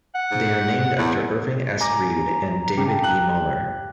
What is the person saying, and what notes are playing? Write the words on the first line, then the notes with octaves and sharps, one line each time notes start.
They are named after Irving S. Reed and David E. Muller.
F#5
G#2
E2
G#5 A#5 D6 A#6
C#3 G4 F5 A5
F#6 F#7